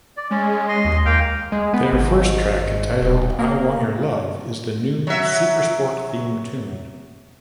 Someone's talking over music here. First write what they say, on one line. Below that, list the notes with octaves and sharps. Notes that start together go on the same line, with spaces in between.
Their first track; entitled "I Want Your Love" is the new SuperSport theme tune.
D5
G#3 C#4
D#5 C6
D#2
D#2 A#3 F5 G5
G#3
B3
G#1
D#1
A#3
F#3 E5